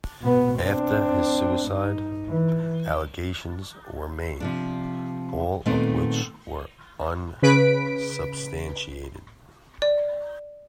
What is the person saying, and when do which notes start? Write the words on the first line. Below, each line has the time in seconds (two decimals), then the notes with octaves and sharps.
After his suicide, allegations were made, all of which were unsubstantiated.
0.22 B2 B3
0.60 C4 D4
1.69 G2 D#4
2.29 E3
4.40 C3 F3 D4
5.66 A#2 D#3 A3 B3 C4 D#4
7.42 C#3 B4 B6 D7
9.82 D5